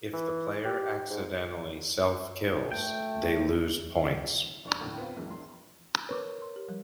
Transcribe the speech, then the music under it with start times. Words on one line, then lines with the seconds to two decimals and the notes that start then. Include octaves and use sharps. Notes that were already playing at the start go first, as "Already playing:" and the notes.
If the player accidentally self-kills, they lose points.
0.13 E3
0.65 G4
1.10 G#2
2.72 A3 G5
4.65 F1 D4 C#6 F7
4.80 D#2 A2 D3
4.98 B3 C4 F4
5.16 A#1 F#2 E3 G#3
5.31 A#1 C6
6.09 A#4 B4 C#5 C#6 D6
6.42 C6
6.56 G4
6.69 F3 G3